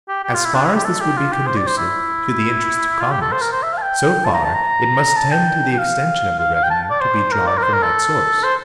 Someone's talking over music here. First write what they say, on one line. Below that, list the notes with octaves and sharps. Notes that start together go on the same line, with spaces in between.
As far as this would be conducive to the interests of commerce, so far it must tend to the extension of the revenue to be drawn from that source.
G4
G4
F4
E4
D4
E4
G4
A4
G4
F4
G4
C5
D5
C5
E4
F4
G4
A4
C5
A#4
C5
E5
F5
A5
G5
A5
A#5
A5
A#5
A5
G5
G5
F5
F5
F5
G5
A5
D5
C5
A#4
D5
A#4
C5
A#4
A4
C5